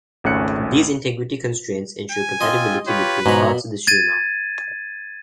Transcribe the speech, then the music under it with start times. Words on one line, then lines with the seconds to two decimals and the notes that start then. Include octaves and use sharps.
These integrity constraints ensure compatibility between parts of the schema.
0.24 G#1 C#2 A3 C#4 F#6 C#7
2.10 G#5
2.41 C4 F4 D#5 C6
2.87 F4 G4 B4 C#5
3.26 G#2 B2 F3 C#5 A#5 B5
3.87 G#6 A6 D#7